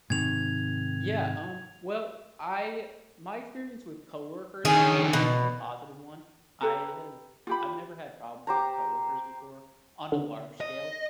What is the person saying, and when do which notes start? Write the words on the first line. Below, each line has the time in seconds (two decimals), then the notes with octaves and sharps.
Yeah. Um. Well, I my experience with coworkers has always been a positive one. I have I've never had problems with coworkers before on a large scale.
0.10 G#2 C3 D#3 G#6 F7
4.65 D3 D#3 C#4 G#4
5.13 B2
6.61 G4 A4 B4 A#5
7.47 F4 G4 B5
8.47 G4 C5 A#5
10.12 D3
10.61 D#5